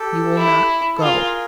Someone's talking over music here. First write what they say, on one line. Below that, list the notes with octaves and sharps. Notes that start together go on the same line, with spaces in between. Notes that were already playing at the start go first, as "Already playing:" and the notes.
You will not go?'
Already playing: G4 A4
E4
A4
F4 G#4 A#4